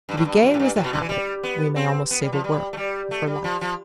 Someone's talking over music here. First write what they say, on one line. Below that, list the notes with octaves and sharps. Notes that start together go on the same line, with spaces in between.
To be gay was the habit,--we may almost say the work,--of her life.
G2
A2
G2
F2
A2
G2
A2
B2
D3
E3
G3
B3
C4
B3
G3
F3
G3
A3
G3
A3
G3
F3
F3